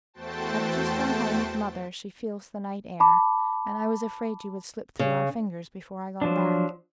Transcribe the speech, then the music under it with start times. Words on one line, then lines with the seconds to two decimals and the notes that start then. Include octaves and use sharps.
I've just run home with mother--she feels the night air--and I was afraid you would slip through our fingers before I got back.
0.14 E2 A3 F#4 C5 G5 A5
3.00 A5 B5 D6
4.99 C#3
6.22 F3 F#3 D4